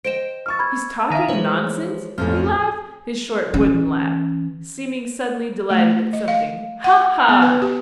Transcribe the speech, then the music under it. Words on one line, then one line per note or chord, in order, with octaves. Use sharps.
"He's talking nonsense?" he laughed, his short, wooden laugh, seeming suddenly delighted at something--"ha ha!"
C5 D#5 G5 D7 E7
C#6 E6 F6 A6
B5 G#6
D#3 D#4 E5 F5 G#5
E3 F3 G#3 B4 C#5
A1 F2 F3 C#4 A4 F6
E3 C#4
A3
D#5
F5
F#5
B3
B4
G4